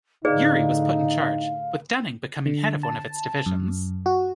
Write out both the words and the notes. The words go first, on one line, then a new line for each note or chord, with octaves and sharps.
Urey was put in charge, with Dunning becoming head of one of its divisions.
A2 D3 D#4 G#4 B4 D5 F5
D3
A5
F#2
F#4